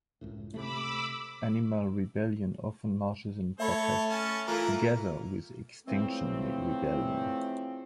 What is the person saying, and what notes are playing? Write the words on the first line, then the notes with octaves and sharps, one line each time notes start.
Animal Rebellion often marches in protests together with Extinction Rebellion.
C#2 F#2 A2
C3 A3 B5 D6 E6
A3 A4 C#5 E5 B5
C#4 A5
E3 A3 F4 A#4
C#3 E3 F3 A3 C4